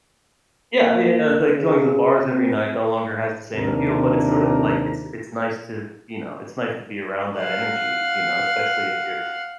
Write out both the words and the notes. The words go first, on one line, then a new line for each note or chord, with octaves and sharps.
Yeah, yeah, it's like, going to the bars every night no longer has the same appeal, but it's sort of like, it's it's nice to, you know, it's nice to be around that energy, you know, especially if you're,
A#3
C#3
C4
D#2 C3 D4 A#4
F5 F#5